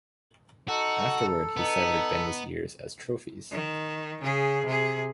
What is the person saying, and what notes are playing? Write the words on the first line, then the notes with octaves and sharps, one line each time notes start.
Afterward, he severed Beni's ears as trophies.
D#4 F#4 A4
B3 D#4
D#3
C#3 G#4
C3 G#4